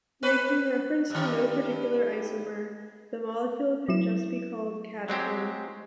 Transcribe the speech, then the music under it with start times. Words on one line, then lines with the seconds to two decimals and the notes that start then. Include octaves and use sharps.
Making reference to no particular isomer, the molecule can just be called catechin.
0.23 C4 B4
1.10 G2 D#3
3.88 F#3 E4 E7
5.08 F#3 G#3 C4 G4